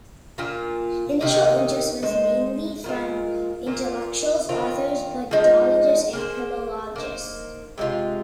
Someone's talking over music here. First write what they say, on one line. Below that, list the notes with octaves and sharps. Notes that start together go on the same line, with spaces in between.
Initial interest was mainly from intellectuals, authors, Buddhologists and Philologists.
A#2 A#3 F4
C3 D#3 A#3 D#4
G#3 D#4 C5
A#2 G#3 F4 A#4
A#2 A#3 F4
D#3 C4 F4
F3 G#3 D#4
A#3 G#4 C5
A#3 D#4 C5
C3 G#3 F4